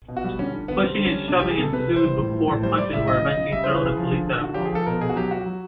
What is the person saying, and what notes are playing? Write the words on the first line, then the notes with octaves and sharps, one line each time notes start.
Pushing and shoving ensued, before punches were eventually thrown and police got involved.
B2
F#4
G3
D3 C#4
D3
D3 B3
G3 C4
D3
C#4
G3
C3 D4
G3 G4
G#4
C3 A4
C3 B4
E3
C5
G3
A2
E3
A2
G3 C5
G3 D5
A2 E5
C#3 D#5
C#3
D#5
C#3
G3 E5
E3 C5
B4
C#3 G#4
F3
D3
D3
D3 F#4
F3 G4
G#4
F3 A4
B2 A#4
B2 G#4
F#4
F#3 G4
F#3 F#4
F#3